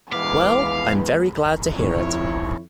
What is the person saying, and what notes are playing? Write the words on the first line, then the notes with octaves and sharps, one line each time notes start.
Well, I'm very glad to hear it.
E3 G#3 B3 F5 D6
F2 D#3 E4 C#5